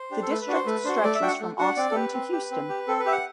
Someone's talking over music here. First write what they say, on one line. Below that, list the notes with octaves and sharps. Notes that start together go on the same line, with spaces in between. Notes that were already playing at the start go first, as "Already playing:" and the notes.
The district stretches from Austin to Houston.
Already playing: C5
D4 G4
A4
A3 B4
B4
D4 F#4
C5
A3 B4
D4 F#4 C5
A3 D5
E5
D4 F#4 G5
F#5
A3
D4 F#4 F#5
C4 D5
A4
G4 B4
C4
G4
C4
G4
C4 A4
B4
G4 E5
F#5